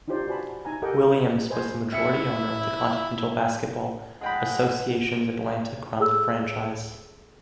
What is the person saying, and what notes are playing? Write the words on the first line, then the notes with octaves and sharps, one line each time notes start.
Williams was the majority owner of the Continental Basketball Association's Atlanta Krunk franchise.
D4 D#4 F4 G4 C5 D5
F#4 B4 D5 G#5 A5 B5
D#4 G#5 A#5
G4 A4 A#4 D#5 F#5 G5
B4 C5 D#5 G#5
E4 E5 C#7
G#3 G#4 F#5 G5 B5
G#4 A4 E6